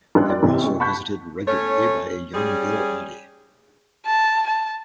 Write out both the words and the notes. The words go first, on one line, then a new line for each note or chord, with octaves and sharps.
They were also visited regularly by a young Bill Oddie.
A1 G3 C#4 D4 F#6
D5
A1 C3 E3
G#3 C#4 C#6
A5 B5 C#6 F#6 G6 B6
A3 C#4 C#5
G3 C#4 G#4
A5
A5